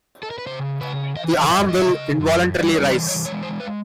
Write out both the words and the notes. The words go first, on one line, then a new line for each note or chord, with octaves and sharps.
The arm will involuntarily rise.
A4
A#4
B4
C#3 C5
C#3 B4
E3 D#5
E5
F#2 E5
D#5
E5
C#3 D#5
F#2
G3 D5
C#5
E3 D5
C#5
G#3 C#5
C5
B4